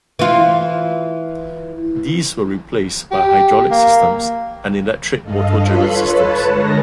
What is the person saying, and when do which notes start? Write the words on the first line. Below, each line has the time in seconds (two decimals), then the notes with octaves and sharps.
These were replaced by hydraulic systems and electric motor-driven systems.
0.19 E3 F4
3.11 G4
3.71 A#3
5.21 G2 A4 D#5 F5
5.58 F4 A4 B4 C#5 B5 C6
5.96 B4 C#5 A5
6.45 D3 G#3 G#4 A#4 A#6